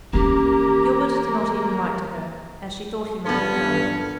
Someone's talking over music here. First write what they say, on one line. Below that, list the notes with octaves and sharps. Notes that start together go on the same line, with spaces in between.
Gilbert did not even write to her, as she thought he might have done.
E3 A#3 C#4 G4
G2 A#2 D3 B3 C#4 D4 A4